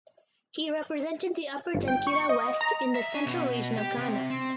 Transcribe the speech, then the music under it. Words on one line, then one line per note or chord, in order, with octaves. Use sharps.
He represented the Upper Denkyira West in the Central region of Ghana.
G1
G5
C#6
D#5
A#5
E5
C#4
B2
G4
C3
C4